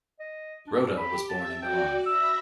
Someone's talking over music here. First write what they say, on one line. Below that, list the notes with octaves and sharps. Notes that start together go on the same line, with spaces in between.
Rota was born in Milan.
D#5
D4
G4 B5
E5 A5
F#4 D5 G5
E5 B5 E6 A#6